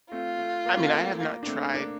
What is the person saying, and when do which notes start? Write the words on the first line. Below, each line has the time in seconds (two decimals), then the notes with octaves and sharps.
I mean, I have not tried
0.12 A3 C4 F4
0.39 A3
0.66 A#3
0.79 A3 C4
0.93 A#3
1.07 A3
1.21 A#3
1.43 D4
1.47 A3 C4
1.74 A#3 D4